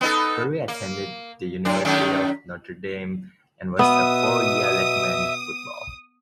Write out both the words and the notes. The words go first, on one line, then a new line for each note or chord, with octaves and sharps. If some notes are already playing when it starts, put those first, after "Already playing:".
Berry attended the University of Notre Dame and was a four-year letterman in football.
B3 D#4 A4
A#3
A2 D4
F#2 D#3 A3
B2 B3 E5 D#6